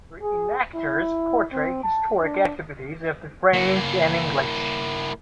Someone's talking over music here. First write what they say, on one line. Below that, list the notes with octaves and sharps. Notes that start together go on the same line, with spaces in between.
Re-enactors portray historic activities of the French and English.
G#4
E4
C4
A5
D4
A#3 E4